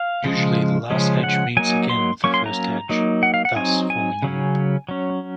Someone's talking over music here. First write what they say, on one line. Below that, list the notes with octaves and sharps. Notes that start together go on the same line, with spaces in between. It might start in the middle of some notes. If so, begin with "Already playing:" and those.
Usually the last edge meets again with the first edge, thus forming a loop.
Already playing: F5
C#3 F3 G#3
C#3 F3 G#3 C#4
F#5
F#3 A#3 D#4 G#5
C6
F#3 A#3 C#4 C#6
C6
A#5
F#3 A#3 D#4
F#5
F5
F#5
F#3 C4 D#4 G#5
G#5
C#3 F#3 C#4
F#3 C#4